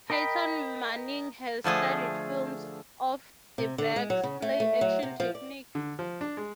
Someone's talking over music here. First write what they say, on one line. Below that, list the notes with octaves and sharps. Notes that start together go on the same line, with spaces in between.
Peyton Manning has studied films of DeBerg's play-action technique.
A#4 D#5 G5 B5
D3 F3 A3 G#4
C3
D3
G#3
F#3
C#3
A3
A3
F#3
C3
F3
D5
D3
F3
D4
G#3